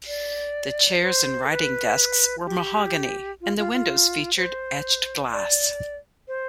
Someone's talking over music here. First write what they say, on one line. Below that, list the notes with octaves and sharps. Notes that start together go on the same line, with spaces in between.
The chairs and writing desks were mahogany, and the windows featured etched glass.
D5
C5
A4
B4
G4
F4
F4
F4
C5
D5
C5